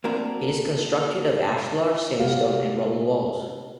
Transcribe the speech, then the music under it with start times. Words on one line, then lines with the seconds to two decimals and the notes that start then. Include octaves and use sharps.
It is constructed of ashlar, sandstone and rubble walls.
0.04 A#3 C4 D4 F#4 A#4
2.20 C3 G#3 B3 F#4 G4 F5